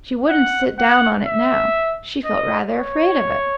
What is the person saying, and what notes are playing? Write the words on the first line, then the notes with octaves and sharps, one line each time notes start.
She wouldn't sit down on it now--she felt rather afraid of it.
F#5
F#5
E5
D#5
C#5